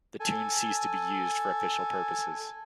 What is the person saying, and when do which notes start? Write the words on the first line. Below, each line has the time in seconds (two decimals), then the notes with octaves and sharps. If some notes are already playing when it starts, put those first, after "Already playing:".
The tune ceased to be used for official purposes.
0.20 A4 G#5